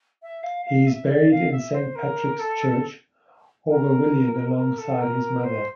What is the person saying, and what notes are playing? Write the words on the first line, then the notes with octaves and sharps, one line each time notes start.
He is buried in Saint Patrick's Church Aughawillan alongside his mother.
E5
F5
F5
E5
D5
F5
E5
C5
A#4
A4
A#4
A#4
A4
A#4
C5